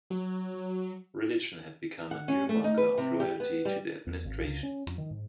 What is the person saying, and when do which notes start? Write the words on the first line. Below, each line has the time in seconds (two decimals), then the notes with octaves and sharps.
Religion had become a new marker of loyalty to the administration.
0.10 F#3
2.11 F#5
2.28 C#4
2.49 A3
2.64 D#4
2.77 B4
2.98 C3
3.20 G4
3.40 B3
3.65 G3
4.06 E2
4.25 G#1
4.42 C#2
4.63 C#4
4.86 F2
4.98 D#3
5.10 G#2